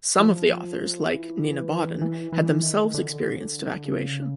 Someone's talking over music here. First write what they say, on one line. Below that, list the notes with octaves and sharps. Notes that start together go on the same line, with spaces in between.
Some of the authors, like Nina Bawden, had themselves experienced evacuation.
F3
E3
E3
E3
D#3
D3
C#3